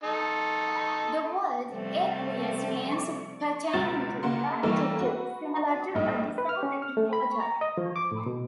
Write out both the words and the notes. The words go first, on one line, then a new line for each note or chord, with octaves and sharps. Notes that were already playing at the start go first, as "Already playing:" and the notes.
The word "aqueous" means pertaining to, related to, similar to, or dissolved in water.
D#4 A4
C3 F3 G3 A3 C4
C#2 B2 F#3 A6 E7
C#3 A#3 F#5 C6
E3 G3 A3 A#3
F#4 B4
A#1 A2 G3 D#4
B4
F6
C#4
F6
A3
B5
A#5
D#5
F3
D6
A2
B2